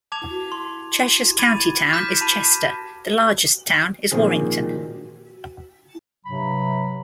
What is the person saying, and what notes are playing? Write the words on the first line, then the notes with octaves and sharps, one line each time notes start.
Cheshire's county town is Chester; the largest town is Warrington.
A5 D6 G#6 F7
C6
B5 D6 G#6 A6 D#7
D6 F6 G6 A#6 B6 E7
A5 B5 D#7
A#2 D#3 F3 C4 G#4
G2 C3 F#3 B5